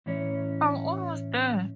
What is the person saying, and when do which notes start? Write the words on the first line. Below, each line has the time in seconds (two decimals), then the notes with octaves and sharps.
I'm almost there.
0.06 A2 E3 C#4 C#5